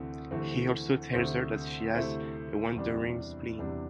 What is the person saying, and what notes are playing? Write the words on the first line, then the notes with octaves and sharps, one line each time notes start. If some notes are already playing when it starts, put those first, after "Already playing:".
He also tells her that she has a wandering spleen.
Already playing: D2 C3 E3 A3 C4
D2 C3 E3 A3 C4
D2 C3 A3 E4 C5
D2 C3 A3 E4 C5
E2 C3 G3 D4
E2 C3 G3 D4